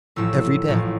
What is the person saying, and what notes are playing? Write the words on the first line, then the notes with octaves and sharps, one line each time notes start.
'Every day.
A1 A2 F3 E6
A1 A2 F3